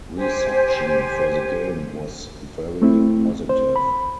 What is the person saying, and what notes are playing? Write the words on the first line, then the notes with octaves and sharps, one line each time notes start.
Reception for the game was very positive.
G4 C5 G#5
A3 C4 E4
C5
B5